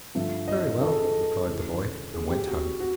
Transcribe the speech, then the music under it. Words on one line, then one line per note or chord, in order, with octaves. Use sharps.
'Very well,' replied the boy, and went home.
G2 D3 F3 E5
D#5
A4
G#4
A4
D2 C#3 E3 G#4
G#4
G4
F#4
F#4